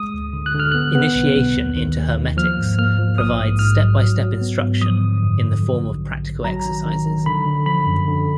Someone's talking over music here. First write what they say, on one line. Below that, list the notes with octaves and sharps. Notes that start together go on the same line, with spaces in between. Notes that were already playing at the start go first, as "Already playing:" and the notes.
"Initiation into Hermetics" provides step-by-step instruction in the form of practical exercises.
Already playing: G#3 D#6
D2
D3
F#6
D3 F6
B3 F#6
B3
B1
B1
D#2
D#3
D#2
D#2
F3 F6
G#2
A#3 F6
F3
A#1 D#6
G#2
G#2 F6
F#3
F#3
F#3
B3
G#2
F3 D#6
D3
F#2
D3
F#3
A#1
A#1
A#1
F#3 A#5
D#3
D#3
D#3
D3 B5
D3
F3 B5
F#2
D3